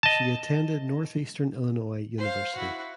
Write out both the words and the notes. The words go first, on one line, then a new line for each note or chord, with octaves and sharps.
She attended Northeastern Illinois University.
D#5 A5
C5 F5
E4 F#4